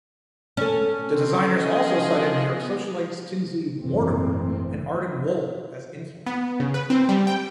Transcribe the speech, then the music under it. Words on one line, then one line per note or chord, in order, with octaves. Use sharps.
The designers also cited New York socialites Tinsley Mortimer and Arden Wohl as influences.
C#4 A4
C4
F3 G#4 D#5
B3
G#1 F#2 A#2 E3 A3 C4
B3
C#3
B4
C4
G3
G5